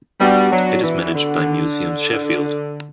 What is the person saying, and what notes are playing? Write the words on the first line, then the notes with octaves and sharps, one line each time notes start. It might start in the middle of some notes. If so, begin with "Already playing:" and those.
It is managed by Museums Sheffield.
G3 B3 D4 F#4
F#3
E3
D3